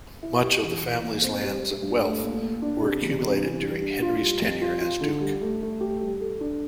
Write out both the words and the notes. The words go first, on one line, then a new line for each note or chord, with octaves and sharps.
Much of the family's lands and wealth were accumulated during Henry's tenure as Duke.
E4
G4
E3
E3
A#2
C4
G3
G3
G2
A3
A#2
A#2
D4
C3
E2
C3
E3
G3
D4
F4
G3
F2
F4
F4
D3
G3
A3
A3
G4
G3
A4
D4